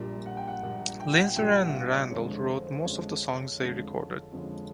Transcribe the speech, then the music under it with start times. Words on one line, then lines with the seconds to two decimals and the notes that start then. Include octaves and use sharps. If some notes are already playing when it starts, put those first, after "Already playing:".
Linzer and Randell wrote most of the songs they recorded.
Already playing: A#1 A#2 G3
0.26 F#5
0.37 G5
0.48 F#5
0.63 A#1 A#2 G3 F#5
1.00 G5
1.12 F#5
1.24 G5
1.36 A#1 A#2 G3 G5
1.55 F#5
1.70 E5
1.73 F5
1.92 D5
2.11 F2 D3 F3 G#3 C#4 C#5
2.30 C5
2.48 C5
2.66 C5
2.84 F2 D3 F3 G#3 C#4 C#5
3.59 F2 D3 F3 G#3 C#4
4.32 F2 D3 F3 G#3 C#4